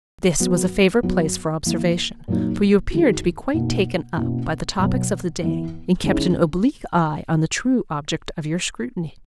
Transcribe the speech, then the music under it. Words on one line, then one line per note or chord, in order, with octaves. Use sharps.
This was a favourite place for observation, for you appeared to be quite taken up by the topics of the day, and kept an oblique eye on the true object of your scrutiny. . . .
F#3 B3 F#4
F#3 B3 F#4
E3 A#3 E4
A#2 F#3 A#3 D#4
D#3 G#3 D#4 F#4
B2 A#3 D#4
B2 A#3 C#4 E4
B2 F#3 B3
E3 B3 E4
D#3 G#3 C#4 E4